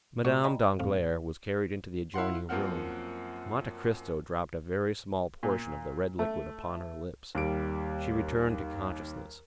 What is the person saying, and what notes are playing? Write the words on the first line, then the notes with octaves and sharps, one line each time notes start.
Madame Danglars was carried into the adjoining room; Monte Cristo dropped a very small portion of the red liquid upon her lips; she returned to consciousness.
A#2 A3 F#4 D5 C#6
D5 D#5 G5 G#5 A#5 B5
F2 A2 A3 C4 F5
E4 F5 F#5 C6
F#2 F3 A#3 C4 F#5 F6
A#2
A3
D#2 G3 D7